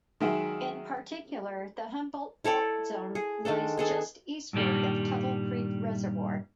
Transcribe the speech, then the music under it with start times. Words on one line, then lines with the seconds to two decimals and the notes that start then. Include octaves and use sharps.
In particular, the Humboldt Fault Zone lies just eastward of Tuttle Creek Reservoir.
0.20 D#3 F#3 G#3 E5 F#5
2.44 E4 A4 C#5 D5
3.15 G#4
3.45 D#3 G#3 D4 A4
3.77 B3 G#4 A4
4.53 G2 A#2 D#3 G3